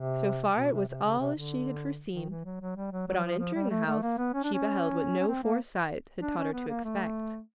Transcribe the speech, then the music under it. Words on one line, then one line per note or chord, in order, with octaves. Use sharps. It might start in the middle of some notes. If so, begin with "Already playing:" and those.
So far it was all as she had foreseen; but on entering the house she beheld what no foresight had taught her to expect.
Already playing: C3
B2
C3
C3
C#3
C3
D3
D#3
E3
F#3
F#3
G3
F#3
F#3
F3
F3
G3
A3
A3
A#3
B3
C#4
D4
C#4
C#4
C4
A#3
D4
C#4
B3
A#3
A3